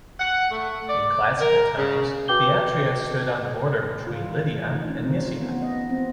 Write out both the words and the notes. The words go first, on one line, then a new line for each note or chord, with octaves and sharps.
In classical times, Thyatira stood on the border between Lydia and Mysia.
F#5
A3
D5
A#4
C#3
F#4 B4 G5 D6 G6 G7
F4
E3
A3
D#4
C#4
C4
F4
B3
D#5
C4